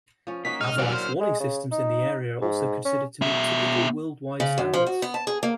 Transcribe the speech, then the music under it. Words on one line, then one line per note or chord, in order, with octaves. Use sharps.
Avalanche warning systems in the area are also considered to meet typical worldwide standards.
F3 C#4
A#3 C#4 D#4 F#4 B6
A#2 G#3 D#4 F6
F#3 G3 A#3 D4 E4 F#4 G#4 D5
C5
G#3
C#3
D#4
G#2
C#4
B2 E5
C#3
F#2
F3
F#4
B3
A5
G#4
A#3